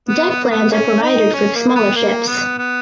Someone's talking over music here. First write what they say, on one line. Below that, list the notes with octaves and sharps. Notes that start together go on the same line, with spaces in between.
Deck plans are provided for the smaller ships.
B3
B3
A#3
B3
A#3 C#4
D#4
C#4
A#3
A#3
B3
A#3
B3
B3